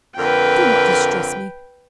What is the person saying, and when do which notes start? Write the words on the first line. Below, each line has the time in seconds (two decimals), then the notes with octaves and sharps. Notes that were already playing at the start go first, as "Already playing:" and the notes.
Do not distress me.
0.17 F2 D3 A#4 B4 G5